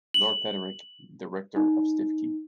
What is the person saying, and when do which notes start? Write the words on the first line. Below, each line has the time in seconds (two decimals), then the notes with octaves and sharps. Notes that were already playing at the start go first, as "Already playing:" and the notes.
Lord Frederick, the Rector of Stiffkey.
0.14 F#7
1.56 D#4